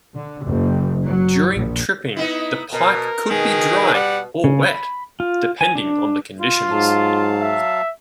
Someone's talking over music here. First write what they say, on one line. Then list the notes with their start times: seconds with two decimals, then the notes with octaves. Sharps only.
During tripping, the pipe could be dry or wet depending on the conditions.
0.16 D3
0.46 F#1
1.05 F#3
1.55 A#1
2.17 B3 D#4 E4
2.72 B2 A#4
3.30 B2 D#3 G#4
3.95 G3 F#5
4.44 C#3
4.66 B5
5.20 F4
5.61 G#5
5.75 D4
6.41 F4
6.71 G#2 F#3 F5 A5
7.42 E5